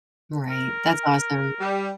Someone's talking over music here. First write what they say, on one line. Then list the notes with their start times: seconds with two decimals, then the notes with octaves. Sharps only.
Right, that's awesome.
0.50 A#4
1.60 G3